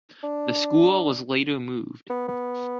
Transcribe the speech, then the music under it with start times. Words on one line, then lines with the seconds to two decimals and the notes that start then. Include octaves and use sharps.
The school was later moved.
0.24 D4
2.10 B3
2.28 B3